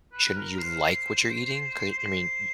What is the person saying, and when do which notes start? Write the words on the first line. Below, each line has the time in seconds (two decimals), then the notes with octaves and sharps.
shouldn't you like what you're eating? 'Cau I mean, y
0.13 B4
0.36 A#4
0.59 C5
1.98 C5